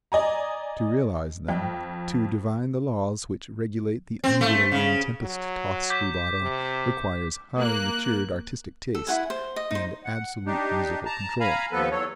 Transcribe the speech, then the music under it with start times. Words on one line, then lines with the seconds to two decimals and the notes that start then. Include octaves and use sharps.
To realize them, to divine the laws which regulate the undulating, tempest-tossed rubato, requires highly matured artistic taste and absolute musical control.
0.12 D5 D#5 G#5 A#5
1.49 F2 G5
4.24 C4
4.41 A3
4.72 C#3
5.22 F#3
5.90 D6 G6 B6
6.42 C3
7.60 A#3 F#6
8.95 A4
9.07 E4 F4 F#5 G#5
9.30 C5
9.56 D#5
9.71 D#4 C5
10.05 F#5
10.46 D4 D#4 G4
11.06 A5 A#5
11.40 F5 G#5 A#5 B5
11.72 D#2 F3 B3 A4 B4
11.91 E2 F#3 A4 C#5